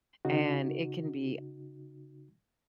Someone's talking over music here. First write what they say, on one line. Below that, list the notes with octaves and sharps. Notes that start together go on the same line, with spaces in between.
and it can be
C#3 D#4 F#4